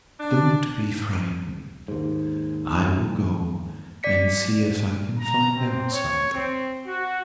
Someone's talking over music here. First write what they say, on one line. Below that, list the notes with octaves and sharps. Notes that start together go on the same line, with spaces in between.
'Don't be frightened; I will go and see if I can find out something.'
D4
D#2 G#2
D5 B6 C#7
A#5
C4
C#5
C4
F#4